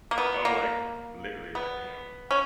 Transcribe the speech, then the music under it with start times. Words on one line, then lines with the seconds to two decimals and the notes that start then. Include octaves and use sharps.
Oh, like, literally, like, right now.
0.11 A#3
0.18 B3
0.45 A#3
1.55 B3
2.31 C#4